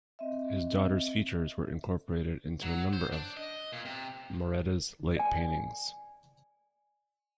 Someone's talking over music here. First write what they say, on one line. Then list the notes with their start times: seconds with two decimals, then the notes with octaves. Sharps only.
His daughter's features were incorporated into a number of Maratta's late paintings.
0.19 C4 D#5 E5
2.63 F#3
2.93 C5
3.12 D4
3.37 D#5
3.72 A#2
3.85 C3
5.17 D5 G#5